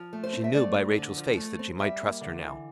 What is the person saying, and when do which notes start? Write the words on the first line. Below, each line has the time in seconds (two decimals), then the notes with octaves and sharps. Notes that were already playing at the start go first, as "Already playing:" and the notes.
She knew by Rachael’s face that she might trust her now.
Already playing: F3
0.13 A3
0.24 C5
0.33 C4
0.44 E5
0.54 A3 D5
0.74 C4
0.96 D3
1.16 F3
1.37 A3
1.59 C4
1.79 G3 E5
2.01 A#3
2.21 D3
2.42 E3